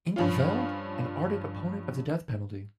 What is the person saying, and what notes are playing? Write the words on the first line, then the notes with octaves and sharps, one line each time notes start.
In 't Veld is an ardent opponent of the death penalty.
G2 F3 C#4 F4